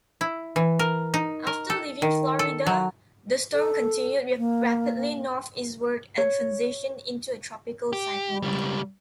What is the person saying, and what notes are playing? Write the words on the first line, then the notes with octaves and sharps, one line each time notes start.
After leaving Florida, the storm continued rapidly northeastward and transitioned into a tropical cyclone.
E4
E3
A#4
D#4
A#4
A4
D#3
A4
F#3
A4
A#3
C#5
G4
C#2 G3